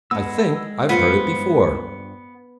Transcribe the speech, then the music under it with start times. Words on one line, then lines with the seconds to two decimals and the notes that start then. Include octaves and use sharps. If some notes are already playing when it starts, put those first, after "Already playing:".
I think I've heard it before.
0.11 G#3 B3 A4 E6
0.89 G2 B3 F4 C5